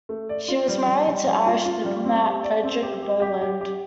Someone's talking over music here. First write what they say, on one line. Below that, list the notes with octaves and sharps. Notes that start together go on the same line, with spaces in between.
She was married to Irish diplomat Frederick Boland.
A3
D5
F4
G3
G3
G3
G3
F4
F4
G3
C4
G4
D5
C4
G4
G4
G4
G4
G4